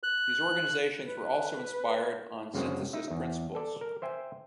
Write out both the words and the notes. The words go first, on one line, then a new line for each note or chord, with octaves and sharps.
These organizations were also inspired on synthesist principles.
F#6
B4
F#2 C#3 G#3 C4 F#4
D#4 E5
E2
A4 D5
A#4
C5 E5 G5 G#5